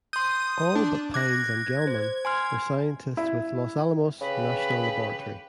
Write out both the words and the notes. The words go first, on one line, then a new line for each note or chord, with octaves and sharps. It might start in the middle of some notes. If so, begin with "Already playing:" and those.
All but Pines and Gell-Mann were scientists with Los Alamos National Laboratory.
C6 D#6 G6
D4
D6 F#6 G#6 A#6
C5
G#5 C6 F6
E4
C#3 G4 B4 B5